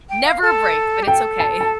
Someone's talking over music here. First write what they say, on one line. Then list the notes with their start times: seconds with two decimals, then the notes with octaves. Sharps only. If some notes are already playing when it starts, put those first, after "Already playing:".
never a break, but it's okay.
0.09 G5
0.26 F5
0.42 A4
1.03 G4
1.07 A4 G5
1.40 A5
1.61 A5